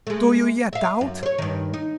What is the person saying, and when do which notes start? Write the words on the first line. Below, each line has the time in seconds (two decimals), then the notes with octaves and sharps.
"Do you yet doubt?"
0.07 G#3 A3
0.73 E5 F5
1.01 F#2
1.23 C5 C#5
1.38 G2 D#3
1.74 D#4